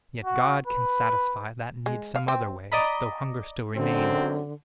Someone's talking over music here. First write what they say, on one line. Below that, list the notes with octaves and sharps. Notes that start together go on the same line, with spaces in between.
Yet God Can satisfy that need some other way, Though hunger still remain.
F#4
B4
G#3
F5
C4
D5 D#5 A#5 B5
G#1 F#2 D3 C4